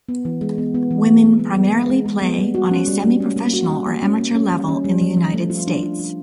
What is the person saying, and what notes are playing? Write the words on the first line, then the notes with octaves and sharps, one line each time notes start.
Women primarily play on a semi-professional or amateur level in the United States.
B3
E3
G#3
B3
B3
E3
G#3
B3
G#3
B3
G#3
G#3
G#3
B3
G3
F#4
C#4
G3
G3
C#4
A#3
F#4
G3
A#3
C#4
A#3
C#4
G3
C#4
G3
F3
F3
A3
F4
D4
F4
F4